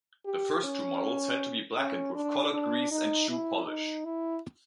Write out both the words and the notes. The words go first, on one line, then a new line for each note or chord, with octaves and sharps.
The first two models had to be blackened with colored grease and shoe polish.
G4
C#4
C#4
D4
D4
D#4
E4
D#4
E4